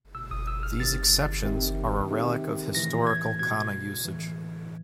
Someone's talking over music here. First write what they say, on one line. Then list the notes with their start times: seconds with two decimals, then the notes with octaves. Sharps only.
These exceptions are a relic of historical kana usage.
0.15 B2 E6
0.31 D#6
0.47 E6
0.63 F6
0.80 C3 D#3 A6
1.45 C3 D#3
2.10 C3 D#3
2.75 A2 E3 A#6
3.07 G#6
3.39 B2 G#6
4.05 A2 E3